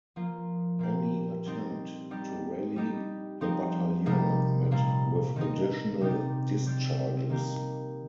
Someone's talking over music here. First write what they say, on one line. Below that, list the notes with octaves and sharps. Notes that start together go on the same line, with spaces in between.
Any attempt to rally the battalion met with additional discharges.
F3 A#3 F4
A#2 A#3 G4
G3 C4 D#4 G4
G3 D#4 G4
G3 D#4 G4
F3 C4 D#4 G4
C3 G3 A#3 D#4
A#2 G3 A#3
D#3 C4 D#4
C3 G3 D#4 G4
G3 C4 G4
D#3 A#3 G4